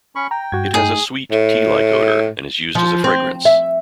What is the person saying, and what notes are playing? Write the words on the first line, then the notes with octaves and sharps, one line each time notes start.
It has a sweet, tea-like odor and is used as a fragrance.
C#4 B5 C#6
G5 A#5
G2 F#4 G#6
A3 D#4 G#4
A2
F3
C4
E5